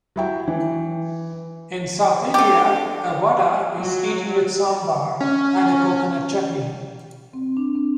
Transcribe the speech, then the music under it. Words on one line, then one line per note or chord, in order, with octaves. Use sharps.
In South India, a vada is eaten with "sambar" and a coconut chutney.
F#3 E4 G5
E3
D3 G4
F#3
C#4
C4
D4
C4